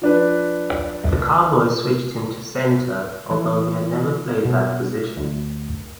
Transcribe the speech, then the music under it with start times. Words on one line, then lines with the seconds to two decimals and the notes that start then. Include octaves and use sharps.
The Cowboys switched him to center, although he had never played that position.
0.02 F3 D4 B4
3.31 E3
4.45 B2
5.17 D2